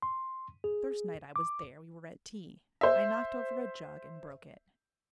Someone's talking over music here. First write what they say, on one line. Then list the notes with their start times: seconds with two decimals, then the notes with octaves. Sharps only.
The first night I was there we were at tea. I knocked over a jug and broke it.
0.02 C6
0.64 G#4
1.36 D6
2.81 C5 E5